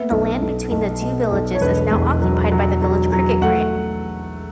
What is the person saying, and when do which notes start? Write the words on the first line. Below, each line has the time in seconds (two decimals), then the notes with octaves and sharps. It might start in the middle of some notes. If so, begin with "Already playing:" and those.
The land between the two villages is now occupied by the village cricket green.
Already playing: B3 E5
0.11 B1
0.42 B1
0.71 B1
1.02 B2
1.32 B1
1.55 C#5
1.61 E1 B4
1.91 E2
2.22 F#3
2.52 F#3
2.82 F#3
3.12 F#3
3.42 A3 F#5